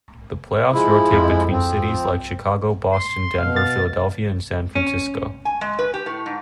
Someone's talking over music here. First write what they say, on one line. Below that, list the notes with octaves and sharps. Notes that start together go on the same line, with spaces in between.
The playoffs rotate between cities like Chicago, Boston, Denver, Philadelphia and San Francisco.
F3 G#3 E4
F2
F3 C4
C6
B2 F5
A6
C#4
G#5
G#3
B4
G4
A2
G#2